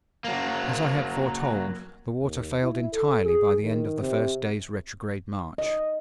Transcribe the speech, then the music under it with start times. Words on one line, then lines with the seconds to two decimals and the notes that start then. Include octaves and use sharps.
As I had foretold, the water failed entirely by the end of the first day's retrograde march.
0.24 F#3 A#3
2.22 D#2
2.63 E4
2.93 A4
3.25 G#4
3.62 D#3
4.00 C3
5.58 D#5